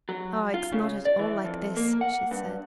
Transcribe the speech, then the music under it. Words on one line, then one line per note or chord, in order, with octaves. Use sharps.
"Oh, it's not at all like this," she said.
F#3
F4
C#3
D5
E3
F2
A#3
F#5
G2